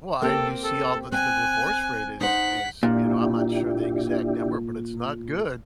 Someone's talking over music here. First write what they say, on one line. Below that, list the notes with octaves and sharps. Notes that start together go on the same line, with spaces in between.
Well, and you see all the the divorce rate is is you know, I'm not sure the exact number, but it's not good.
A#3 C4 G4 A4
A4
C4 G#5 F#6
D#4 C5 F#5 B6
A#2 D4 E4 G4